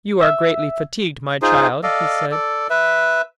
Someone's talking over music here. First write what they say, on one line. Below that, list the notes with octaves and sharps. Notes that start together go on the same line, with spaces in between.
"You are greatly fatigued, my child," he said.
E5 E6
D#4 F4 G#4 C5
A4 D5 D#5 F5
A4 D5
B4 E5